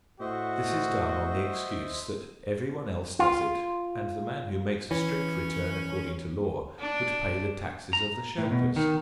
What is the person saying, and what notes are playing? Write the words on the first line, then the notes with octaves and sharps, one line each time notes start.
This is done on the excuse that everyone else does it, and the man who makes a strict return according to law would pay the taxes of the shirkers.
A2 F#4 C5 D#5 E5
F4
E3 C#4
D4
A#5
A2
B2
D#3